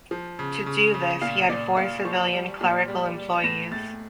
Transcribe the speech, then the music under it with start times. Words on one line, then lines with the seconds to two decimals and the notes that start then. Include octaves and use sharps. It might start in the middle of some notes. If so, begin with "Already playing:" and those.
To do this he had four civilian clerical employees.
0.11 F3
0.39 C#3
0.66 C#3
0.94 C#3
1.21 A#2 F5
1.49 A#2 D5
1.77 A#2 F5
2.05 F3 C#6
2.33 G3
2.61 A#2
2.88 G3
3.16 G3
3.44 A2 A#6
3.71 A2 A6